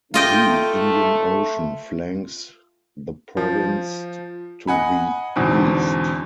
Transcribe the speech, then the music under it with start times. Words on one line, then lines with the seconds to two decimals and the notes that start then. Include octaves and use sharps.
The Indian Ocean flanks the province to the east.
0.14 A3 F4 D#5 G5
3.37 F3
4.67 D#5 F#5 G#5 B5
5.36 E2 G#2 B2 D3 C4